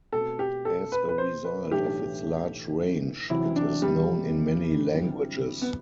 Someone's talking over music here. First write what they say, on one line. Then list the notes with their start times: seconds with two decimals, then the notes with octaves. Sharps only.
As a result of its large range, it is known in many languages.
0.12 B2 A3 C4 F#4 A4
0.39 G4
0.65 A4
0.92 B4
1.09 B4
1.18 C5
1.45 B4
1.71 B1 A2 E3 A3 D4 G4
3.30 E1 E2 C3 F#3 C4 E4
3.56 D4
3.82 G3
4.88 G1 G2 F#3 C4 E4
5.62 B3